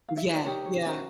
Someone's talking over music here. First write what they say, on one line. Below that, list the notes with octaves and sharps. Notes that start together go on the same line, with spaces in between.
Yeah, yeah.
F5
E5
D#5
D5
D#4 G4 A#4 C#5
C#5
C#4 F#4 A#4 C5